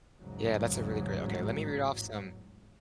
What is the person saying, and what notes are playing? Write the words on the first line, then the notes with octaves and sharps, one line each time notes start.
Yeah. That's a really great okay, let me read off some
A1 E2 G#2 C#3 F#3